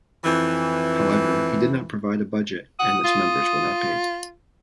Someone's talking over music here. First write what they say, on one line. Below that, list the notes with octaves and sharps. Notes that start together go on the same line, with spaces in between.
However, he did not provide a budget and its members were not paid.
F2 E3
F#5 D#6
F4